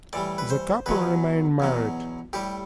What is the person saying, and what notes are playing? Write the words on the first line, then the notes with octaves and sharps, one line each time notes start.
The couple remain married.
A2 E3 G3 D5
B4
C5
E2 B2 F#3 B4
E2 B2 F#3
A2 G3 G4